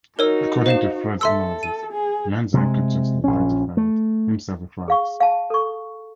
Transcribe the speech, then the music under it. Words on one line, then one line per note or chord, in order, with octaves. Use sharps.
According to Freud's analysis, Lanzer unconsciously identified himself with rats.
D#4 F#4 A#4 C#5 E6
C5 F5 E7
A4 E5 C6 E6
D#7
G#4
C3 G#3
A#1 C#4
A3
G#4 F5 C#6
F5 A5
A4 C#6